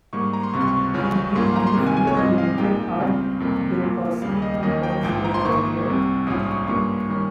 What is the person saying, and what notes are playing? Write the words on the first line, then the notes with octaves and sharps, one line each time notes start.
He beat undefeated Olympian Art Binkowski on points later that year.
G#2 G3 A#3 C#6
A#5
C6
C#2 C3 G3 C#6
C6
C#6
C#2 C#3 G3 C#4 F4
G#2 G3 A#3 C#4 F4 C6
C6
A#5
C6
C#2 C3 D#3
G#5
G#5
C#5
G#2 G3 C4 F4 D#5
F5
A#2 G#3 D#4 G5
C#2 C#3 G3 C4 F4
F2 C3 G3 A#3
A#2 F3 A#3 F4
D#2 C#3 G3 F5
D#5
D#2 D#3 A#3 C#4 D#5
G5
A#1 G#2 F3 G#3 G5
A#5
C6
G#2 D#3 A#3 C#6
C2 C3 G3
A#1 G#2 G3 C#4 F4 D#6
D#6
C#6
G2 G3 A#3 C#4 F4 C#6
D#3 G3 C#4